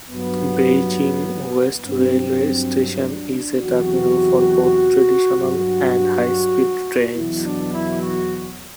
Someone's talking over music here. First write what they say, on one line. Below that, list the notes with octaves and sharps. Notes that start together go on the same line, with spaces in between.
Beijing West Railway Station is a terminal for both "traditional" and high-speed trains.
G2 F#3 B3
G2 F#3 C4
D4
E2 C3 F#3 F#4
G2 F#3 F#4
E2 B2 F#3 E4
D4
E4
F#4